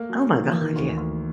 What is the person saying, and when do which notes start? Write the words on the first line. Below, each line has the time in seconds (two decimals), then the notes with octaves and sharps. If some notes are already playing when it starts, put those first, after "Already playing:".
Oh my god, yes.
Already playing: A3 A#3
0.09 F#3
0.32 D#3 A#3
0.47 E3
0.54 A#3
0.61 D#3
0.76 D2
0.97 D2